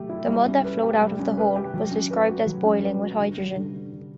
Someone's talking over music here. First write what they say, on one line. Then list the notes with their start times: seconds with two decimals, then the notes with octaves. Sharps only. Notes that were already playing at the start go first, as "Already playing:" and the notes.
The mud that flowed out of the hole was described as "boiling" with hydrogen.
Already playing: F#3 A3 G4
0.09 E4
0.27 G3
0.46 C#4
0.64 B4
0.83 G4
1.01 G3
1.19 C#4
1.37 B4
1.56 G4
1.74 F#3
1.91 C#4
2.10 B4
2.29 F#4
2.47 F#3
2.65 C#4
2.83 B4
3.01 F#4
3.20 D3
3.38 G3
3.56 D3
3.74 D4
3.93 D3